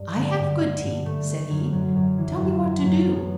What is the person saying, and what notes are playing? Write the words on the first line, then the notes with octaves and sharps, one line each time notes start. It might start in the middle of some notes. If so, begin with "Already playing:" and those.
"I have good teeth," said he, "Tell me what to do."
Already playing: G2
D3
G2
D3
G2
A3
A3
F#2
F#2
F#2
E3
F#2
F#2
F#2
B3